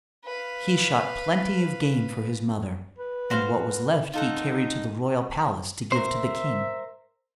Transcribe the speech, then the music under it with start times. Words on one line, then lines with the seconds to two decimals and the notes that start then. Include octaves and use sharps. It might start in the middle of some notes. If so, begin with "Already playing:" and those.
He shot plenty of game for his mother and what was left he carried to the royal palace to give to the king.
0.25 B4 F5
2.98 B4
3.30 F#4 C5 F5
4.13 D#4 F4 A4 F#5
5.92 A#4 C5 E5